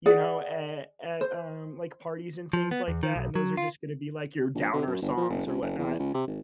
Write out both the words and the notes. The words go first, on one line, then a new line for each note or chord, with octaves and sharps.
you know, at at, um, like, parties and things like that, and those are just gonna be, like, your downer songs or whatnot,
G#4 D5 F#5
C5
F3
B3
E2
D#3
B1
F#3
F4
A#1
D3
F#2
G1
F3
F#1
C#2
F#1
E2
C#2
C3
G#1